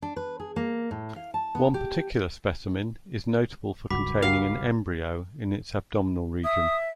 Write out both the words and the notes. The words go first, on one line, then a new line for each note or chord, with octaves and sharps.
One particular specimen is notable for containing an embryo in its abdominal region.
D4
B4
G#4
A#3
A2
F5
A5
B3
G4
F#1 C#2 G2 F#4 B5 D6 B6
F#4 G4 A#4 F5
E5 D#6